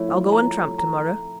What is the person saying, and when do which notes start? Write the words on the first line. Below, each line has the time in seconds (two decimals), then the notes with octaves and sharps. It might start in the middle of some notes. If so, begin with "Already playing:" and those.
I'll go on tramp to-morrow.
Already playing: F3 A3 E4 C#5
0.09 F4
0.32 F4 A#5
0.78 A#5